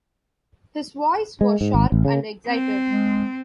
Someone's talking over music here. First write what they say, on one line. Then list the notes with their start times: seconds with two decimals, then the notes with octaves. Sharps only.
His voice was sharp and excited.
1.41 G#3
1.61 G#2
1.74 G#1
1.92 A1
2.05 C#3
2.47 C4
2.89 G#3